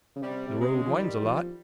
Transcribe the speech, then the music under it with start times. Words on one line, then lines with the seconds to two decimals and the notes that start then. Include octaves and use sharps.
The road winds a lot.
0.16 C#3
0.22 C3 G3
0.47 C3
0.61 G#3
0.73 C#3
0.87 F3
0.97 D#3 G3
1.23 F3